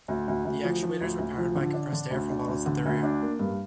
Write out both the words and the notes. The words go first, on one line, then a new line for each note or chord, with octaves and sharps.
The actuators were powered by compressed air from bottles at the rear.
D2
D2
D2
F3
F3
D2
D2
F3
D3
D4
D3
D2
D4
D2
D3
D2
D4
A#3
G2